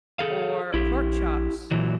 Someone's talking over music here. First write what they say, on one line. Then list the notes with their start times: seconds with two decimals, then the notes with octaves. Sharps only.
or pork chops.
0.19 G#4 A4 F5
0.74 A#1 E4 G4
1.71 A#2 E3 F#3